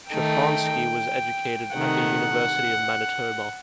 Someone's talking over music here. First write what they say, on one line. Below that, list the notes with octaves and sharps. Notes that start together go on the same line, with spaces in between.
Shafransky was educated at the University of Manitoba.
D#3 A3 D#4 G5
C3 D#3 A3 F#5